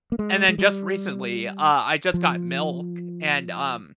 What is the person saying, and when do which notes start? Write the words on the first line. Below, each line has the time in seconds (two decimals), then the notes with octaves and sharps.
and then just recently, uh, I just got milk and, um,
0.12 A#3
0.19 G#3
0.48 G#3
0.58 G3
2.14 F3